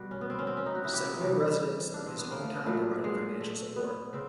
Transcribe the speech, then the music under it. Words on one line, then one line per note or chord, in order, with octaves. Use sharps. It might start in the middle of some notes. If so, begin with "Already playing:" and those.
Several residents of his hometown provided financial support.
Already playing: B2 G3 F#4
C#4
B3
C4
C#4
C4
C#4
D#4
F#4
E4
G4
D#4
C3 E3 G3
D4
C4
B3
A#3
A3
B3
A#2 F#3 A3
G#3
A3
B3
C#3 C4